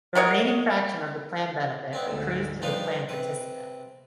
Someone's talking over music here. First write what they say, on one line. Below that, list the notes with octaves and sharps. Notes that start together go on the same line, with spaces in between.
The remaining fraction of the plan benefit accrues to the plan participant.
B3 A#4 C#5 D#5
B3 C4 D4
D2 G#2
G2 F3 D4 D#4 B4 F5
C3 B4